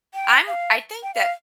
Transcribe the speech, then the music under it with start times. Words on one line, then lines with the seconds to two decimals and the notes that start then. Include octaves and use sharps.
I'm I think that,
0.14 G5
0.47 F5
1.03 G5
1.14 F5